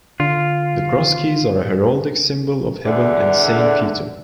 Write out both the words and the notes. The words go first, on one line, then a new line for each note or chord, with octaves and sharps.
The Cross Keys are a heraldic symbol of Heaven and Saint Peter.
D3 F4
E2 D3